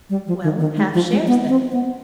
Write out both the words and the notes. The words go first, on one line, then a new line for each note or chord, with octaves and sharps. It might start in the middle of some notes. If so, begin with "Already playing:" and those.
"Well, half shares then."
G3
F3
D#3
D#3
G#3
F3
G#3
B3
C4
B3